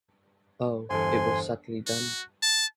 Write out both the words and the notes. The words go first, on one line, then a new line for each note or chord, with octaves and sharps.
Oh, it was subtly done.
G1 E2 A4 C5 G#5 C6
F#4
A5